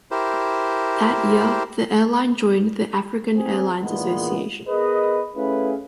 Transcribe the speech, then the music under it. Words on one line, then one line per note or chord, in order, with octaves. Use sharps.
That year, the airline joined the African Airlines Association.
E4 G4 A#4 C5
C4 G#4
E2 A#2 D3 D#3 G#3 B3
B3 G#4 A#4 B4 D#5
A3 C#4 E4 G#4 B4 F5